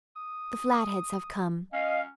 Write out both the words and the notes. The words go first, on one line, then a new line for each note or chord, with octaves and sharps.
"The Flatheads have come."
D#6
C#4 D#5 F5